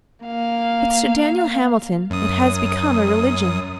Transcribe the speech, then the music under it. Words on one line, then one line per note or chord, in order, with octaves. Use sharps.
With Sir Daniel Hamilton it has become a religion.
A#3 F5
F#2 D#6